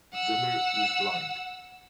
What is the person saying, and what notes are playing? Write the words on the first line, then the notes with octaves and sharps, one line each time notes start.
Zimmer is blind.
F#5 E6